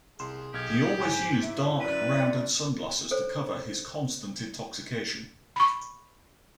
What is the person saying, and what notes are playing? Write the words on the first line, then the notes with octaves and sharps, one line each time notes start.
He always used dark rounded sunglasses to cover his constant intoxication.
C2 G#4 C6 E7
B1 G4 F6 G#6
G#2 G#5
E4 E5
F#2 B4 D5 D#7
A4 C5 C#5
B5 C#6